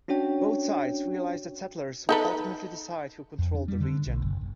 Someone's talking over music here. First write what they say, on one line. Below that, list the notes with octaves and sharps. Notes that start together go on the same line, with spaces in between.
Both sides realized that settlers would ultimately decide who controlled the region.
C#4 D4 F#4 C#5 G5
D#4 A4 B4
F2
D4
G3
D3
B1
F#1
F#1